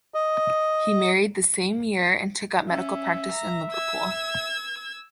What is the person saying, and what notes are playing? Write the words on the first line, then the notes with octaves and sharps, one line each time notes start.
He married the same year and took up medical practice in Liverpool.
D#5
C#4 E5
A#5
E6 G#6